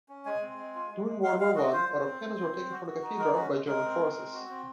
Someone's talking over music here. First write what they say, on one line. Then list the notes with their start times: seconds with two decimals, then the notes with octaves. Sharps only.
During World War One, other panels were taken from the cathedral by German forces.
0.09 C#4
0.26 G#3 G#5
0.42 C4
0.58 G#3
0.75 F4
0.91 G#3
1.07 G#3
1.23 G#3 F5
1.39 G#3 F5
1.56 F#4 D#5
1.72 F4 C5
1.89 F4
2.04 C4
2.21 C4
2.37 C4
2.54 C4
2.71 F#4
2.86 F#4
3.03 D#4
3.19 G#3 A#4
3.35 C#4 F#4
3.51 G#3
3.68 G#3 A#4
3.84 C4
4.00 G#3
4.17 C4
4.33 F#4
4.49 C4